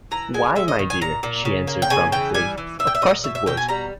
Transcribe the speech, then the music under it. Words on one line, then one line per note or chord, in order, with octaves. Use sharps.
"Why, my dear," she answered promptly, "of course it would!"
E3 A#5
G#3 G#5
G#3 E5
D#5
D#3
G#5
A#2 A#5
A#2
C#3
A#3
G5
C#3 G#5
E3 G5
G3 G#5
E3
A#2 E5
G5
E5
A#2 D#5
B2 E5
E5
B2 G5
G#5
G3 A#5